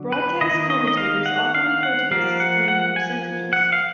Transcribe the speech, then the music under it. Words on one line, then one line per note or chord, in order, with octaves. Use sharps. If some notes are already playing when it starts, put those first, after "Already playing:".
Broadcast commentators often refer to this as "playing the percentages".
Already playing: D3 F#3
B4
D#3 A#3 D#5
D#5
D#5
F5
F#5
F5
F#5
F3 A#3 F5
F#5
F#5
G#5
F#5
F5